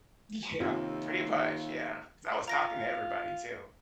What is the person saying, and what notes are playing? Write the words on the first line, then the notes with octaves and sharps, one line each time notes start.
Yeah. Pretty much, yeah, 'cause I was talking to everybody too.
D#2 C3 C4 F4
F4 A#5 A#6 D7